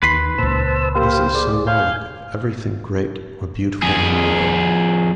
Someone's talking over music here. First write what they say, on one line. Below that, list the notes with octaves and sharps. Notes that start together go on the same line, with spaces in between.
This is symbolic of everything great or beautiful in the world.
D#2 D#3 B4 B5 C6
C#2 A#2 C5 A5 E6
A#3 G4 C5 F5
G#4 D5
F5 G#5 G6
F2 G#4